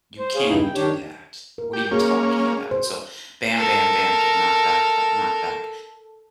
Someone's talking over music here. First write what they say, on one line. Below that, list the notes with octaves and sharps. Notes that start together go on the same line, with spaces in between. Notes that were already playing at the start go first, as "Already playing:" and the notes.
you can't do that. What are you talking about? So bam, bam, bam, get knocked back, d knocked back,
C5
G#4 C#5 F5
E2 G2 C#3 D#4 E4
G5
D#3 D4 G4 C#5 G5
A#4
G4
A#3 C#4 F#4 G#4
C5
A4 A#4